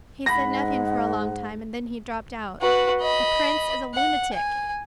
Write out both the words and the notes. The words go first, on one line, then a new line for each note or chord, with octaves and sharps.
He said nothing for a long time, and then he dropped out, "The Prince is a lunatic!"
G#2 F#5 B5 A#6
F#4 B4
D#5 B5
F#5
G#5